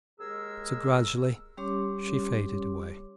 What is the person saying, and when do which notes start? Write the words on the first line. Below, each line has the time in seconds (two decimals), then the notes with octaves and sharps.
So, gradually she faded away.
0.20 D#2 G#3 G#4 A#4 E6
1.57 G3 C#4 G4 C#5 C6 D6